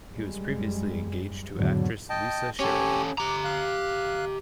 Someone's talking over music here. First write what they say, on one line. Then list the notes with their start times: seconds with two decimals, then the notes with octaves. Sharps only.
He was previously engaged to actress Lisa Sheridan.
0.14 F#2 G3 G#3
1.55 G#1 E2 B2 D3 F#3
2.10 D#5 G5 A5
2.60 C#4 G4 A4 C#5 G#5
3.18 G4 A#5 D6
3.44 F5 F#6